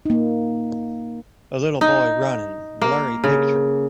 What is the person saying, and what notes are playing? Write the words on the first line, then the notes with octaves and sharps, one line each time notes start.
A little boy running, blurry picture.
A#3 D#4
D#4
A#3
C#3